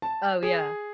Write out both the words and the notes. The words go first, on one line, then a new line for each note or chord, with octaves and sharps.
Oh, yeah.
A5
G#4